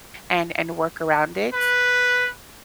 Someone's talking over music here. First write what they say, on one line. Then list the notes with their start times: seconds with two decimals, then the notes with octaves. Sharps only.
and and work around it.
1.53 B4